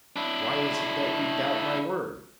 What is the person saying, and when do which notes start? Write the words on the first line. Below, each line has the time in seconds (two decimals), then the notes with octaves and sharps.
"Why is it that you doubt my word?"
0.16 D4 E4